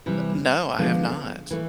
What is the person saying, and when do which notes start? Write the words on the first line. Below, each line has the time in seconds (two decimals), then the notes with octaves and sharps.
N no, I have not.
0.06 C3 E3 G3
0.78 D3 F3 G#3 B3 D4
1.51 E3 A3